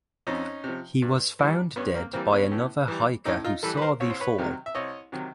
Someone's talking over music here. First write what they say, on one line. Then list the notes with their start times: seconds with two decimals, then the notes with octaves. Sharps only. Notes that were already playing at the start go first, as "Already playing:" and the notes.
He was found dead by another hiker who saw the fall.
0.27 F2 C#4 D#4
0.64 C3 F3
1.02 G2
1.39 E3 G3
1.76 G2 B3 C#4
1.95 A#3 C4
2.13 E3 G3 A#3 C4
2.33 B3 C#4
2.52 A2
2.88 E3 G3
3.25 A2 C#4 D#4
3.44 D#4 F4
3.63 E3 G3 A4 B4
3.77 B4
3.82 A#4 C5
4.00 C2 C#5
4.10 C5
4.20 B4 C#5
4.38 C3 D#3 F#3
4.66 E5
4.75 C2 C#5 D#5
5.12 C3 D#3 F#3